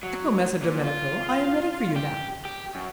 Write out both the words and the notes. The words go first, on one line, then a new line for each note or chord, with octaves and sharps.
Ecco, Messer Domenico, I am ready for you now.
F#3
A#2
F4
G4
G4
F#2